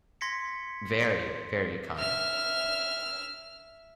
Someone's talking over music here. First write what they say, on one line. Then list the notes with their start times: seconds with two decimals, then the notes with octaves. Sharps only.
Very, very kind.
0.21 C6 G#6 A#6 B6 C#7
1.98 E5 F6